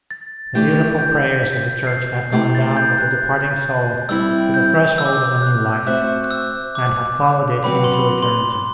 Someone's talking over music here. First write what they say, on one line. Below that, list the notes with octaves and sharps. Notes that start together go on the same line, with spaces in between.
The beautiful prayers of the Church had gone down with the departing soul to the threshold of the new life, and had followed it into eternity.
A6
E3 A3 D4 G4 G6
G6
B6
C7
B2 A3 E4 G4 C5
A6
G6
F#6
G3 C4 E4 E6
G6
E6
D6
E6
F#6
A3 C4 F#4 C5 E5 F#6
F#6
E6
D6
F#3 C4 F#4 B4 B5
C6
B5
C6
C6